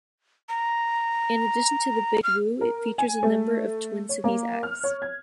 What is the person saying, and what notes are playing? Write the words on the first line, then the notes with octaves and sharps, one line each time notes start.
In addition to the Big Wu it features a number of Twin Cities acts.
A#5
F6
A#4
G#5
A3
C#5
A#3
F6
C#5
G#6